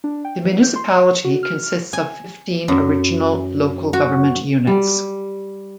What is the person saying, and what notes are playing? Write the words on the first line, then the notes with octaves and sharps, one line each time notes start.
The municipality consists of fifteen original local government units.
D4
G5
E3
G6
C6
F#4
F6
G#5
F#2
F#4
G3